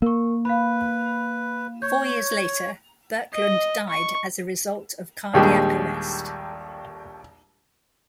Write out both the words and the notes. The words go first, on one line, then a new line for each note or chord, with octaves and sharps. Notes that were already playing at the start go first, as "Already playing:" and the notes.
Four years later, Birkelund died as a result of cardiac arrest.
A#3 A#4 C#6
B4 F5 B5
C#5 C#6 G6
D#5
C#6
A#1 D#2 G3 G#3 D4